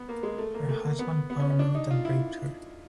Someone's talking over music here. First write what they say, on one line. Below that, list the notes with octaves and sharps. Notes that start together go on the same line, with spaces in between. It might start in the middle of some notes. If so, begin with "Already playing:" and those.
Her husband found out and raped her.
Already playing: B3
A#3
G#3
A3
A#3
A3
A#3
B3
B3
C#4
C#4
D4
D#4
F4
E4